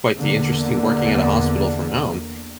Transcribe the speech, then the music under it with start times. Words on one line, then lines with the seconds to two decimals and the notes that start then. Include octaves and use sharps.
quite the interesting working at a hospital, from home.
0.17 E2 D3 A#3